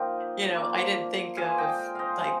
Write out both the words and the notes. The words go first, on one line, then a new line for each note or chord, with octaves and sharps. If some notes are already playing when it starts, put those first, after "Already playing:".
you know, I didn't think of, like,
Already playing: F3 A#3 D#4 D#5 F5 G5
F3 A#3 D4
D3 F3 G#3 F5 G#5
D#5 G5
C5 D#5 F5
C3 F3 G#3